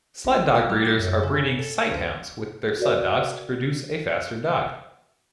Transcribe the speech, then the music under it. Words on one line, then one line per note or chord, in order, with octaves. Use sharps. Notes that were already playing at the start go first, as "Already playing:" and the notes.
Sled-dog breeders are breeding sighthounds with their sled dogs to produce a faster dog.
A1
A#3
G3
F#4
F#2
C#3
A4
D2
F#4 A#4 D5 E5